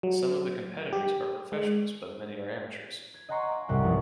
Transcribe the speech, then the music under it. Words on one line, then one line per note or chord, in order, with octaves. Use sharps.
Some of the competitors are professionals but many are amateurs.
F#3
G4
G#3
G#6
D#5 F#5 G#5 A#5 C6 C#6
F5 G#5 D6
C2 G#2 G3 F#5 C#6
G1 F3 C#4